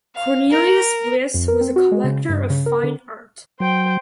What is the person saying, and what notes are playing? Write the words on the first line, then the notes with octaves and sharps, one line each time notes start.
Cornelius Bliss was a collector of fine art.
F5
A#4
F2
A#4
C4
F#4
G#3
C#3
G2
C#3
A#4
D3
F#3 C5 G5